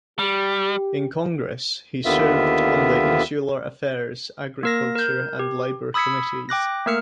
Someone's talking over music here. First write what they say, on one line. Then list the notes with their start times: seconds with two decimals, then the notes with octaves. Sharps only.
In Congress, he served on the Insular Affairs, Agriculture, and Labor committees.
0.19 G3 G4
2.05 D#2 D3 D#3 B3 F4 E5
4.63 A#3 A#4 A#6
4.95 A#4 G6
5.39 G4
5.94 B5 D#6 E6 G#6 B6 C#7
6.49 G5 D6 F#6 A#6
6.86 A3 A#3 A#4 F6 C#7